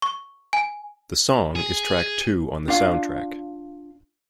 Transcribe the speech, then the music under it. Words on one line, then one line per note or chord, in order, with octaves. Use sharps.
The song is track two on the soundtrack.
C#6
G#5
G#4
D4 F4 F5